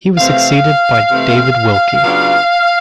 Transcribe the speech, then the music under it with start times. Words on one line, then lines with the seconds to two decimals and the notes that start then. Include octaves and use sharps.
He was succeeded by David Wilkie.
0.17 C3 E3 A3 C4 F5
1.10 C3 E3 A3 C4
2.03 C#3 F#3 B3 D4 F4